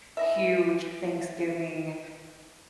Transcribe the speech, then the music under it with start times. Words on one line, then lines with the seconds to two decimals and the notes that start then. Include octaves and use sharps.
huge Thanksgiving,
0.17 E3 D#5 E5